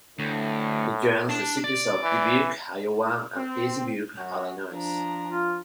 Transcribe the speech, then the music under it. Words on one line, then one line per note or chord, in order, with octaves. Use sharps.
It joins the cities of Dubuque, Iowa, and East Dubuque, Illinois.
D2 A2
D4 A5
D5
E3
C4
F#2 C#4 F#4
F3 D4 A#5
F4